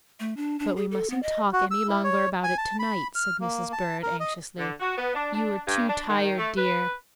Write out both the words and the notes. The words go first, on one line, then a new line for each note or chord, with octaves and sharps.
"But we mustn't talk any longer about it to-night," said Mrs. Bird, anxiously; "you are too tired, dear."
A3
D4
D4
G#4
A4
B3
D#5
F#4
E6
E4
C#5
G#5
A5
B5
F6
A#3
A5
A#4
D#5
D3
F#4
B3
D4
D4
G2
D4
D#3
A3
B4